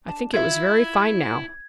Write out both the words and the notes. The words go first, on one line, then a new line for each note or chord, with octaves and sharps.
I think it was very fine now.
D4 A5
E4 F4 E5 G#6